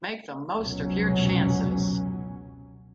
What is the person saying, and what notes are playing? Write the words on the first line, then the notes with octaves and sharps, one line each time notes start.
Make the most of your chances.
F1 C#2 B2 F#3 C#4